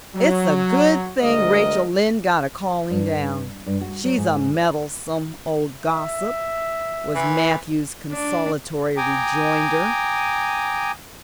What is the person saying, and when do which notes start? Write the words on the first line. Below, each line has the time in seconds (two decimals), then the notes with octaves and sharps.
"It's a good thing Rachel Lynde got a calling down; she's a meddlesome old gossip," was Matthew's consolatory rejoinder.
0.15 F#3
1.21 D2 G#3 A#4 D#5
2.90 G2
3.66 G2
3.81 F#4
4.04 F#3
4.18 G#2
4.55 D5
5.82 E5
7.15 E3
8.12 D4
8.97 G5 G#5 A#5 D6 D#6